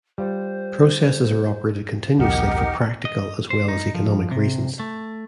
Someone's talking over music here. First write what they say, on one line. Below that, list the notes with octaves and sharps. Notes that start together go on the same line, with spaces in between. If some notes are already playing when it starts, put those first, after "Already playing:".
Processes are operated continuously for practical as well as economic reasons.
G3 F4 C5
B1 E2 D#4 G4 A#4 F#5
D#5
C5
D#4
F3
C3
A3